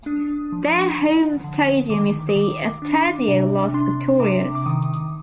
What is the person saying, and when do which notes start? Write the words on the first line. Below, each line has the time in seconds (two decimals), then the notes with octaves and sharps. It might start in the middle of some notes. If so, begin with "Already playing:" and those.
Their home stadium is the Estadio Las Victorias.
0.06 D4 D#6
0.52 F3
0.98 D3
1.44 D3
1.90 D#3 D6
2.29 D#6
2.36 D#3 D6
2.82 D4
3.28 C3
3.74 D4 C6
4.20 C3 D6
4.55 D6
4.66 D#3 D#6